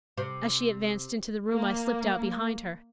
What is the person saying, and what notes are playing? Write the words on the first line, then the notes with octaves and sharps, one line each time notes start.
As she advanced into the room, I slipped out behind her.
C3
A#3